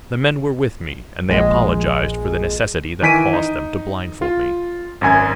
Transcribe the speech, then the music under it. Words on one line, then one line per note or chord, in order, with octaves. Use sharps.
The men were with me, and they apologized for the necessity that caused them to blindfold me.
A#1 G#3
D#3 E3 G#5 B6 D7 D#7
D#4
F4
G#1 F#2 G#5 G#6